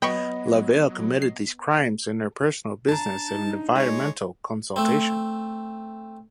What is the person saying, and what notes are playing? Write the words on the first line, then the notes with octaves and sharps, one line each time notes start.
Lavelle committed these crimes in her personal business of environmental consultation.
F#3 B3 D#5 G5 B5 C#6
C7
D4 A5 A#5
D#4
G#3 C#5
A3 C4